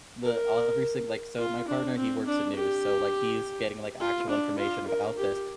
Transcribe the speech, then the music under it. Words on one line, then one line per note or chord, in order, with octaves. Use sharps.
the uh, every single like, so, my partner, he works at news, so, like, he's getting, like, actual information about this,
A#4
F4
D4
C4
D4
G4
F4
D4
F4
A#4
G4